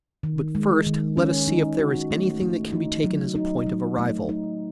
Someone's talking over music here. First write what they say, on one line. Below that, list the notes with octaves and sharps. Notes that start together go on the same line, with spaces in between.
But first let us see if there is anything that can be taken as a point of arrival.
D#3
G#3
D#3
C#4
D#4
F#4
A3
A3
D#4
F#3
D#4
F#3
A3
D#4